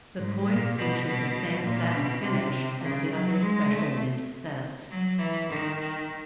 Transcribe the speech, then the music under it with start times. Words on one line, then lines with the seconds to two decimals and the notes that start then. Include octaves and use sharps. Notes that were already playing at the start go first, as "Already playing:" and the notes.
The coins featured the same satin finish as the other Special Mint Sets.
0.16 G#2
0.45 A#2
0.76 B2
1.04 B2
1.64 A#2
1.93 B2
2.23 C3
2.82 C#3
3.12 F#3
3.42 G#3
3.71 A3
4.90 F#3
5.18 E3
5.49 D#3
5.79 D#3